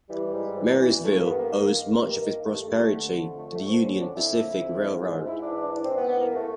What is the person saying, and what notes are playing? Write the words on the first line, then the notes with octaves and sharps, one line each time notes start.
Marysville owes much of its prosperity to the Union Pacific Railroad.
E3 G3
G#2
E3
E3
G2 A3
A#3
G2 B3
A#3
D#3
D#3
G2 A#3
D#3
G2 A3
G2 A3
D3
F2
D3 A3
A3
F2
C4
D3 C#4
D4
F2
E4
D3
F2
G#2
G#2
G#2 E4
D4
E3
D4
E3 D4
C4
G#2 B3
B3
E3 A#3
A3